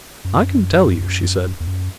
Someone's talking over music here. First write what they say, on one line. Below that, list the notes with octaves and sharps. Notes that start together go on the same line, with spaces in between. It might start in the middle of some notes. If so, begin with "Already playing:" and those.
"I can tell you," she said.
F#2
E2
F#2